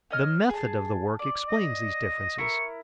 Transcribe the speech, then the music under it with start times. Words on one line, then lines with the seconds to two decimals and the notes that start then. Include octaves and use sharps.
The method of the work explains these differences.
0.11 C#5 D#5 F6
0.49 G#4 A5
1.19 D5
1.48 D#5
2.38 E4 A#4 C#6